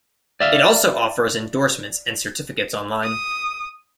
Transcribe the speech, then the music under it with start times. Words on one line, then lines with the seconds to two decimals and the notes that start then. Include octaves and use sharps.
It also offers endorsements and certificates online.
0.40 D5 E5 F5
3.03 D#6